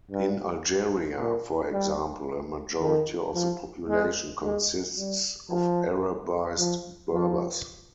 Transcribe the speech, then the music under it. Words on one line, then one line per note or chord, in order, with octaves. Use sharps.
In Algeria, for example, a majority of the population consists of Arabised Berbers.
G2
A#2
G3
D#3
F3
G#3
G#3
G3
F3
F3
F3